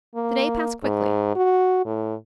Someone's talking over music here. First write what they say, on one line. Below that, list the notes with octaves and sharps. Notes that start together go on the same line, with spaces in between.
The day passed quickly.
A#3
G#2
F#4
A2